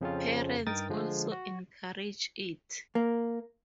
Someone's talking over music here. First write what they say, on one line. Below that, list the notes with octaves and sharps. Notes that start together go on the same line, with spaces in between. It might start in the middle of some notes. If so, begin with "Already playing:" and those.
Parents also encourage it.
F2 C#3 F3 C4 C#4 F4
G2 D#4 A#4 G5 D#6 A6
D3 F3 G#3
F#4
A#3